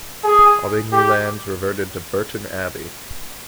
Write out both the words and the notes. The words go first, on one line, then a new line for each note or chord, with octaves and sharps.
Aubigny lands reverted to Burton Abbey.
G#4
G4